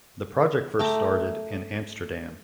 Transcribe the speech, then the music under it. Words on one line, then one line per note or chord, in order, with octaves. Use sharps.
The project first started in Amsterdam.
A3 G5 A#5 D6